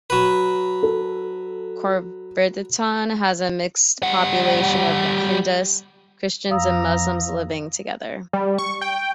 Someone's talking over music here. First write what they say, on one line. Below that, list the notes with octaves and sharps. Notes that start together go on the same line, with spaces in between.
Corriverton has a mixed population of Hindus, Christians and Muslims living together.
F#3 B4
A4
G3 F#5
F2 F5 A#5 D#6 E6
G3
C#6
G5